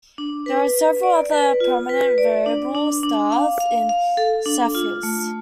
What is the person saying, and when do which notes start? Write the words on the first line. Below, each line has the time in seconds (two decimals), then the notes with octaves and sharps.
There are several other prominent variable stars in Cepheus.
0.18 D4
0.46 B4
0.75 B4
1.03 D5
1.32 B4
1.60 F4
1.89 B4
2.18 D5
2.46 D4
2.75 D4
3.03 D4
3.32 F5
3.60 F5
3.89 F5
4.17 A4
4.46 D4
4.75 F4
5.03 A3